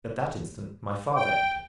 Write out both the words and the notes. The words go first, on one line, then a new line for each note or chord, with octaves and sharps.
At that instant my father entered.
G5